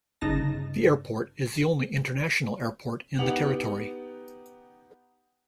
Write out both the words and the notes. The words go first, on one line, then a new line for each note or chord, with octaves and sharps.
The airport is the only international airport in the territory.
G1 C#3 D#4 A5 A#6
B3 D#4 G4 F#5 F7 F#7